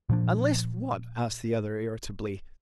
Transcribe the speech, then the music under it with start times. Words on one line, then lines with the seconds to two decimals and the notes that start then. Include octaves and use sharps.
"Unless what?" asked the other, irritably.
0.09 A#2 F3 D4